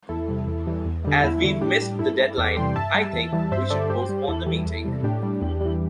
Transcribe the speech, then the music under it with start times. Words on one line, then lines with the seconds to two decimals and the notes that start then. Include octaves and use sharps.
As we've missed the deadline, I think we should postpone the meeting.
0.09 E2 E4 A4
0.28 C3 G3
0.47 E2
0.66 E3 G3
0.85 E2
1.04 D3 G3
1.23 E2 E4
1.42 D3 G3
1.61 A2 D4 G4
1.81 G3
1.99 G2 E4 A4
2.19 G3
2.38 E2 A4 D5
2.57 C3 E3 G3 G5 C6
2.75 G2 E5 A5
2.94 G3
3.13 E2
3.33 E3 G3
3.51 G2 C5 E5
3.70 D3 G3 A4 D5
3.90 G2 G4 C5
4.09 G3
4.28 E2 E4 A4
4.47 E3 G3
4.66 E2
4.85 C3 G3
5.03 A2 D4 G4
5.23 G3
5.41 E2
5.61 E3 G3